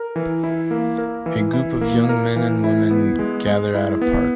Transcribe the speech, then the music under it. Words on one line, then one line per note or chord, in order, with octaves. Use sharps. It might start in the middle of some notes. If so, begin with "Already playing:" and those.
A group of young men and woman gather at a park.
Already playing: A#4
E3
E4
A#3
A#4
E3
E4
A#3
A#4
E3
E4
B3
G#3
G#3
E4
B3